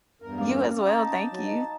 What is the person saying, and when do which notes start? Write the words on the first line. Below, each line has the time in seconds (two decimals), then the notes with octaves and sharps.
You as well, thank you.
0.22 E2 G2 A#4
0.38 C#4 D5 F5
0.87 D#4 A5
1.31 F#3
1.45 D#5